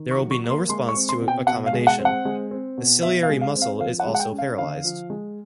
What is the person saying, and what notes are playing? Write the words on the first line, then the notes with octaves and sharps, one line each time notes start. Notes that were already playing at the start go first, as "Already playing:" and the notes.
There will be no response to accommodation - the "ciliary muscle" is also paralyzed.
Already playing: D#3
C#6
F#3
C#6
A#3
C6
G#3 C6
C#6
C4
C6
B2
G5
B2 F#5
F5
G#3
F#5
C4
F#5
G#3
C4
B2
B2 E5
F5
G#3
F5
C4
F5
F3 F5
F#5
G#3
F#5
G5
C#4
F5
D3 F5
F3
G#3